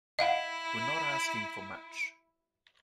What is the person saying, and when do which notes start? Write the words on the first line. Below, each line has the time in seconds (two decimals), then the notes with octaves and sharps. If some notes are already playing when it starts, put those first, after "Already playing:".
We're not asking for much.
0.19 E4 D#5 F5 F#5